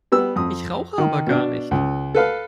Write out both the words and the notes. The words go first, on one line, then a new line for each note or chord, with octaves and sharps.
Ich rauche aber gar nicht!
G3 B3 E6
F2 D#6
D#3
B2 D4
C#2
A4 B4 F5